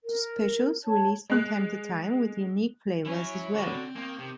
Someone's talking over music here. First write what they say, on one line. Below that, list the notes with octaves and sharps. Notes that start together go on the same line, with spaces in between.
There are also specials released from time to time, with unique flavors as well.
A#4
C#5 A5
G#3 F#6
F#3 C#4 E4
D3 F#4 C#5 B5
C4
D#3 A#3 C4
C3